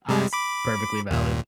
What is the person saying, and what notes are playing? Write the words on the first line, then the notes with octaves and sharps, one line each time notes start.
Ah, that's perfectly valid.
C3 G3 G#3
B5 D6
D#2 A#2